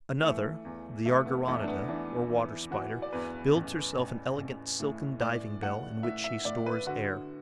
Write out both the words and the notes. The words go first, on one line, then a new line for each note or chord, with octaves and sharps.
Another, the Argyroneta, or Water Spider, builds herself an elegant silken diving-bell, in which she stores air.
E3 A3
E2
E2 A3
B3
E2 A3
D4
B3
E3 D4
E3
E3 F#4
D5
E2 B4
A1
A1
A1
A2
A2 D5
A2 F#5
A2 E5
E5
A2 D5
B4
D3 F#4